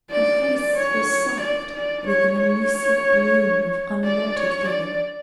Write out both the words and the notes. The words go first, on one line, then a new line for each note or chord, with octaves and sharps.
Her face was soft with an elusive bloom of unwonted feeling.
D5
C#5
D5
D5
C#5
C#5
D5
C#5
D5